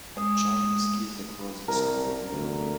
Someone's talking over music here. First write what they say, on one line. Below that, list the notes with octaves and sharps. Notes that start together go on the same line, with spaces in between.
A child skis across the snowy ground.
G#3 D#6
C2 A#4
D2